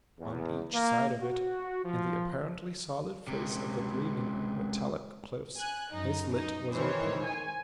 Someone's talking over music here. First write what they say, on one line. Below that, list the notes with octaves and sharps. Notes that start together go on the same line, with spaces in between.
On each side of it, in the apparently solid face of the gleaming, metallic cliffs, a slit was opening.
E2
A#3
F#4
F3
C#2 C3
G#5 F#6
F#2 D#4
D#4
D#3 E3 C5 C#5
G#5